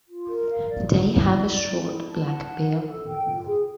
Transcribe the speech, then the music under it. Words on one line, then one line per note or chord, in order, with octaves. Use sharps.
They have a short black bill.
F4
A#4
F5
D5
E4
E4
D5
D5
E4
E4
A5
F#5
D#4
A#4
A4
G5
F4
G#4